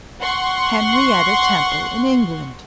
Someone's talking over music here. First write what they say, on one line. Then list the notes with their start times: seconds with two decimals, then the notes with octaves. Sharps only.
Henrietta Temple in England!
0.22 F#5 C6 C#6